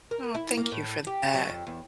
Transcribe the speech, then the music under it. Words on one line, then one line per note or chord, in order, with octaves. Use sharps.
Oh, thank you for that,
A#4
E4
A#3
A2
G4
F#3
F2
E2